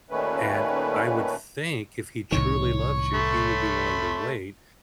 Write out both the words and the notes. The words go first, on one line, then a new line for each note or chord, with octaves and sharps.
And I would think if he truly loves you, he would be willing to wait.
D#2 A#2 D#3 A3 C#4 B4
C2 A2 D#3 C#5
A3 B5 C6